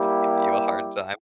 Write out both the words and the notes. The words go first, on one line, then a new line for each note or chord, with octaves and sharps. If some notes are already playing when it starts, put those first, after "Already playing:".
just give you a hard time.
Already playing: G3 A#3 E4 G4